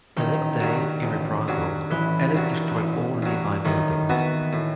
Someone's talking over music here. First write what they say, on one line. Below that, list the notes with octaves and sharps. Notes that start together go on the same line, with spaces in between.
The next day, in reprisal, Ellet destroyed all nearby buildings.
A1 D#3
G2 F#3
A1
G2 F#3
A1 E3
G2 F#3
A1
G2 F#3
A2 D#3
E3 B3 F#4
A2